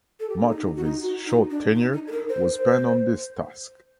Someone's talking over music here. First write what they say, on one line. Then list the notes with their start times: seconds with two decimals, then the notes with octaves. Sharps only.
Much of his short tenure was spent on this task.
0.20 A4
0.29 G4
0.41 D4
0.48 D#4
0.65 D#4
0.76 F#4
0.84 D#4
1.02 F#4
1.26 D#4
1.50 D4
1.75 D#4
1.93 D#4
2.08 A4
2.12 A#4
2.29 C5
2.47 C5